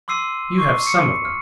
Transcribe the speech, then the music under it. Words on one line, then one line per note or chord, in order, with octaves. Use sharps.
You have some of them.
C6 D6 E6 C7 D#7
C#6 D6 C7
C#7
F6